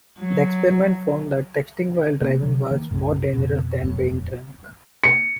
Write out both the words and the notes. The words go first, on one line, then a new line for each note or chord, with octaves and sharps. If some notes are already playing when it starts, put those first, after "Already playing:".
The experiment found that texting while driving was more dangerous than being drunk.
F#3
C3 A#3 B3
C3 F#3
D#3 A#3
B1 F#2 A2
F2 B2
D#1 F2 A2 F#3
C#7